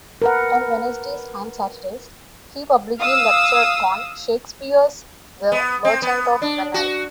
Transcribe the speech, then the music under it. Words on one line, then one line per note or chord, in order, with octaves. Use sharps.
On Wednesdays and Saturdays he publicly lectured on Shakespeare's The Merchant of Venice.
A#4 B4 F#5
F5 D#6 E6
B3
C4
B3
D4
F#4